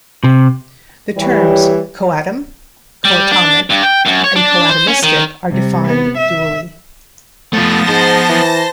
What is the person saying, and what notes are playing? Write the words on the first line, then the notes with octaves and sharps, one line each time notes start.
The terms "coatom", "coatomic", and "coatomistic" are defined dually.
C3
E3 G3 C#5
G3
D4
G2
G5
F#2
C#5
D4
C5
C#4
D#3
C3 G3
B3
E5
F3 A3 B3 F4 A5 A6 A#6
G#2 C5
E3